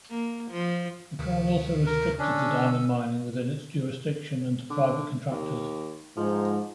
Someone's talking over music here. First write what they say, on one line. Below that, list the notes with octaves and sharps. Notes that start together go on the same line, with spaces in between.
The crown also restricted the diamond mining within its jurisdiction and to private contractors.
A#3
F3
D2 C3 D#3
A#4
D3 C#4 D4 E6
D3
D#2
G#2 F3